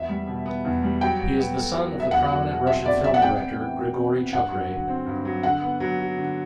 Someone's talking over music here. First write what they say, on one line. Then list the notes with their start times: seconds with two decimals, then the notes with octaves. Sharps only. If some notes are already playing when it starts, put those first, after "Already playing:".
He is the son of the prominent Russian film director Grigory Chukhray.
Already playing: E2 E5
0.09 G3
0.27 B2
0.46 B3
0.65 E2
0.83 G3
1.01 F#3 G5
1.20 F#4
1.38 B3
1.57 A4
1.75 F#3
1.93 F#4
2.00 E5
2.11 E2 F#5
2.30 F#3
2.49 B2
2.67 C4 E5
2.86 E2 D5
3.04 F#3 E5
3.14 F#5
3.22 C3 G5
3.40 B3
3.59 E3
3.78 F#4
3.96 C3
4.15 B3
4.33 G2 F#5
4.51 F#3
4.70 D3
4.88 C4
5.06 G2
5.25 F#3
5.43 D3 F#5
5.61 B3
5.80 F#3
5.99 F#4
6.17 D3